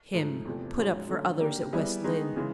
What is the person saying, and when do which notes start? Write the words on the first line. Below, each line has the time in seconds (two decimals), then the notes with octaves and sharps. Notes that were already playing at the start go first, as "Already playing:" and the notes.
Him put up for others at West Lynne!
0.13 G#2 F3 A3
0.45 E2 C3 F3 A3
0.77 G#2 F3 G#3 C#4 F#4
1.09 D3 F#3 A3 C#4
1.41 A#3 D4 G4
1.73 G3 B3 E4 G#4
2.04 D#3 G#3 B3 D#4 G#4
2.36 C#3 E3 G#3